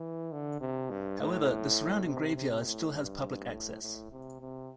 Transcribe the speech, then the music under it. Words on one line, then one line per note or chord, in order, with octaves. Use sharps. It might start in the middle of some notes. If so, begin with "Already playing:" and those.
However, the surrounding graveyard still has public access.
Already playing: E3
D3
C3
G2
A2
C3
C3
A2
G2
A2
A2
C3
C3